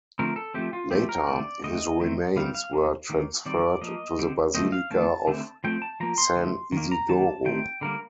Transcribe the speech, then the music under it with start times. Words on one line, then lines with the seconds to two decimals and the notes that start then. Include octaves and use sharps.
Later, his remains were transferred to the Basilica of San Isidoro.
0.19 D3 F3 A3 C4 A#4
0.36 A4
0.54 F3 A3 C4 G4
0.73 F4
0.91 F3 A3 C4 G4
1.09 A#4
1.27 D3 A3 C4 D5
1.64 D3 A3 C4 D#5
2.00 D#3 A3 C4
2.36 D3 G3 C4 F5
2.55 F5
2.73 D#3 A#3
3.10 D#3 A#3
3.46 D#3 G3 C4 D5
3.81 F3 A#3 D#5
4.19 D3 G3 C4
4.55 D3 F3 A3 C4 D#5
4.72 F5
4.91 D#3 A3 C4 A5
5.27 D3 A3 C4
5.64 F3 A3 C4 G5
5.82 A5
6.00 F3 A#3 A#5
6.18 C6
6.37 D3 F3 A3
6.72 D#3 A#3
6.92 A#5
7.09 D#3 A#3 A5
7.45 D#3 A3 C4 G5
7.81 D3 G3 A#3 A#4